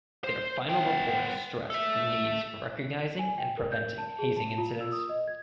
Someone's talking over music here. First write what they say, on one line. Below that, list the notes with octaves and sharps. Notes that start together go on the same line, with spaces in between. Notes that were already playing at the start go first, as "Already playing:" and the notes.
Their final report stressed the needs for recognizing and preventing hazing incidents.
C5
B3 G5
A4 E5
G#5
G5
A#4
G6
A5
G#4
A5
F4
E6
D#6
D#5
G#6